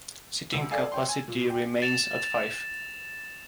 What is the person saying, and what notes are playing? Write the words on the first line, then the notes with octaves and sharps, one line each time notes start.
Seating capacity remains at five.
D2 E6
A4 D5 F5 G#5 A5
C#5 G5 C6
G#5
A#2
G5
A6 E7 F7